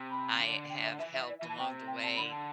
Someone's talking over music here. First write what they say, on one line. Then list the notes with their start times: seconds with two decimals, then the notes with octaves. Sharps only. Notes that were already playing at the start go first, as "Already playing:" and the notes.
I have helped along the way,
Already playing: C3
0.11 B5
0.40 D3
0.70 G5
0.84 E5
0.99 E3 E5
1.14 E5
1.29 D5
1.39 E5
1.43 E3
1.49 A5
1.59 C3 G5
1.87 G5
2.03 A5
2.17 D3 B5
2.31 A5